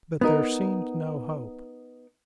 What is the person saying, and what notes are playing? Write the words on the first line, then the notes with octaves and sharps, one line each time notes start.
But there seemed no hope.
B3 D#4 A#4